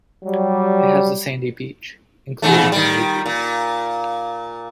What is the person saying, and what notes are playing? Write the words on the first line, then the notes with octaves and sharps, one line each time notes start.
It has a sandy beach, including a nude beach.
F#3 G3
E2 G#2 A3
D#3 G3
A#2